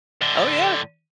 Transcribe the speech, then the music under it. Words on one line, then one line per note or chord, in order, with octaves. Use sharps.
Oh, yeah.
A2 D3